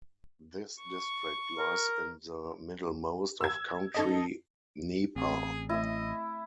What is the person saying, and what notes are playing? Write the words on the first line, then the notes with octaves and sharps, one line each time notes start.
This district lies in the middlemost of country Nepal.
C#6
A#4
E6 G#6
D#4 A4 D#5
A1 C4 G#4
A3 E4 D#5 E5